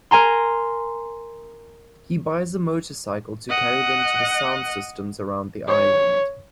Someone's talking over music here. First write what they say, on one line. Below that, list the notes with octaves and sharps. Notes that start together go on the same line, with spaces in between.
He buys a motorcycle to carry them to the sound systems around the island.
A#4 G#5 A#5 C6
D#5 F#5
C#5